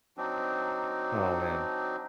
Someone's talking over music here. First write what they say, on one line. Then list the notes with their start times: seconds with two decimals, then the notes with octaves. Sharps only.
Oh, man.
0.17 F#3 C4 D4 D#4